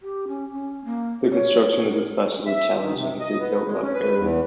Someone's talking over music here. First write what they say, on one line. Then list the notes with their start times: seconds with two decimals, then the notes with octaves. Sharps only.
The construction is especially challenging through built-up areas.
0.02 G4
0.28 C#4
0.52 C#4
0.85 A#3
1.31 C#5
1.92 A#4
2.47 E5
2.81 D#3
2.96 C3
3.21 D#5
3.40 B3
3.66 G#3
3.82 C#4
3.94 B4
4.17 E2